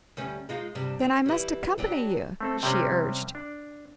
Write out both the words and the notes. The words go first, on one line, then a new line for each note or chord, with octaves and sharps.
"Then I must accompany you," she urged.
D2 G3 C#4
G#3 D#4 F4
G2 C3 G3
C4
E3 G3
F#3 D4 G4
A3 C4 A4
C3 G3 C4 C#4
D4